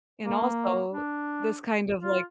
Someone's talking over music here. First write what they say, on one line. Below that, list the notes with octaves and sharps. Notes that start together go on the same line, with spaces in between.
And also, this kind of, like
A#3
D4
F4